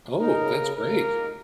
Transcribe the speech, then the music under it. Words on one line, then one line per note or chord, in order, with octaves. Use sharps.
Oh, that's great.
D#4 A#4
C#3
C#3
C#3 A#4
A#3
D#4